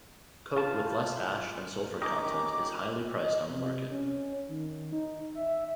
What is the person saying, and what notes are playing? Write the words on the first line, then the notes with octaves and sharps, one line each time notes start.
Coke with less ash and sulfur content is highly priced on the market.
F4 B4 C5 F5 A5
D#3 A3 C#4 G4 A#4 D#5 D6
D#5
C3
C#4
D#3
D#4
E5